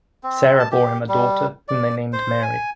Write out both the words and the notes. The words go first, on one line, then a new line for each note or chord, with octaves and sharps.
Sarah bore him a daughter whom they named Mary.
C4
A5
G4
G3
D5
C5
G#5